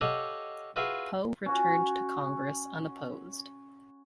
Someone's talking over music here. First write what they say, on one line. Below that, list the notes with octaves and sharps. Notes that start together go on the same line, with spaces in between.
Poe returned to Congress unopposed.
G4 A4 C#5 D#5 F5 F#5
F4 F#4 G#4 B4 E5 F5
C#4 F#4